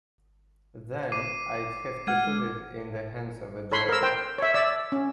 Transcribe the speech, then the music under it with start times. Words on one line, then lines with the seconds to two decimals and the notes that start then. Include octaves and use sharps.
Then I'd have to put it in the hands of a jury.
1.12 D6 C7 D#7
2.07 G#3 F#5 F6 G#6 D#7
3.72 A4 C#5 B5 C6
3.89 A#4 E6
4.03 C5 G5
4.38 C#5 E5
4.54 D5 E5 E6
4.92 C#4